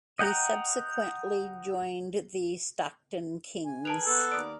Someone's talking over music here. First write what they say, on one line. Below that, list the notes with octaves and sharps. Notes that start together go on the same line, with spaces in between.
He subsequently joined the Stockton Kings.
D#5 F#5 G5 A#5
G#5
G#4 A#4 B4 A5 D7 F7
B3 A4
D#2 A#4 D5 D#6 D7